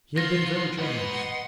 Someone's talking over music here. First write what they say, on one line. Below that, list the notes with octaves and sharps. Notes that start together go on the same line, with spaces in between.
He had been very generous.
B3 F4 A4 C6 A#6
G#2 B4 D#5 F#5 C6